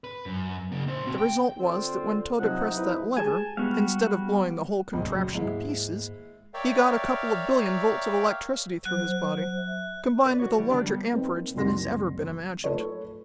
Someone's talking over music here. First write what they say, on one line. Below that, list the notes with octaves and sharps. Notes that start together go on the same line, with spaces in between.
The result was that when Tode pressed that lever, instead of blowing the whole contraption to pieces, he got a couple of billion volts of electricity through his body, combined with a larger amperage than has ever been imagined.
B4
F#2
C#3 A#3
A#2 C5
C4 F#4
G5
D3 C4 F4
C3 F3 F#3 D#4 F#5
E2 C3 F#3 E4 B4
G#3 G4 G#4 G#5 A5
G3 G#3 B3 F#4 F5
C#2 A#2 C#3 F3 G3
F#3
D#2 G#2 G#3 A#3 E4
A#4 C#5 D5 E5 F5 G5
F#3 C5 F#6
E5
B4 D5
F#4 C#5
E3 G3
D3 A#3 D4 G4
G3 B3
A#3 C4 D#4 A#4 B4
F#1 C2 D#3 F#4 C6 A#6
A3 F4 A4 B4 C#5